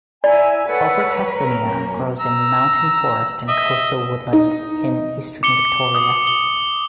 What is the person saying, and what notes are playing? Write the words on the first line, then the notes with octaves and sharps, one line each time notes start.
Ochre cassinia grows in mountain forest and coastal woodland in eastern Victoria.
E4 D5 G#5 A#5
A4 B4 C#5 F#5
A#4
F#2 A#3 C#4
A#5 E6
D#5 E5
D#4
D6 C#7 G7
D#6
G7